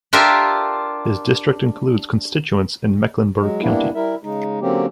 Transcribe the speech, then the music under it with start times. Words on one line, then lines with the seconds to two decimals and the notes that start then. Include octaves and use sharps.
His district includes constituents in Mecklenburg County.
0.13 D4 F4 G4 A#4 E5
3.39 F#3 G#3
3.62 G3 A#3 B3 D4 E4
3.95 G3 E4 A#4 E5
4.23 C#3 G#3 D#4
4.62 D3 F#3 A#3 C4 C#4 G4